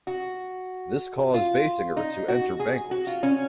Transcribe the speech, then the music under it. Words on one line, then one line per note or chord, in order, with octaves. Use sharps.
This caused Basinger to enter bankruptcy.
F#4
F4
D#4
F#4
G#4
F#4
F4
C#4